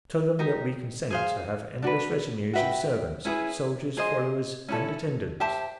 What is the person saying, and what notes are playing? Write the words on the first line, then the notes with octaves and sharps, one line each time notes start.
Tell them that we consent to have endless retinues of servants, soldiers, followers, and attendants.
D#4 G4 A#4
G#4 C5 F5
D4 F#4 B4
F#4 B4 E5 G5
C#4 E4 G#4 B4
G#4 C5 D#5
C#4 E4 A4
G4 C5 E5 A5